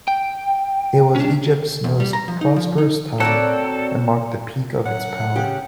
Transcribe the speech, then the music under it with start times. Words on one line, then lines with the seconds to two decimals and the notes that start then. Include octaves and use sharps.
It was Egypt's most prosperous time and marked the peak of its power.
0.08 G5
1.16 C#4 D4
1.84 E2
2.00 G3
2.13 A#5
2.28 F3
2.41 D#4
2.56 F3
2.78 D#4
3.20 C4 F#4 A4 A#4 C#5 D5 F#6
4.86 F#2 F#5
5.35 C#3 C#4 G4